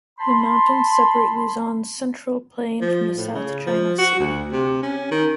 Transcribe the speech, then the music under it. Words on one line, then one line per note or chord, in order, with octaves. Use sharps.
The mountains separate Luzon's central plain from the South China Sea.
A5 B5 C6
F3
A2
C#3
F3
F#4
D2
C3
C#4
D#3